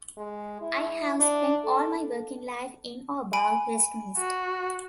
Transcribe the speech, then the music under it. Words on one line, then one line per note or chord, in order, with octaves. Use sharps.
I have spent all my working life in or about Westminster.
G#3
E4
D4
A4
G#5 B5 D7
F#4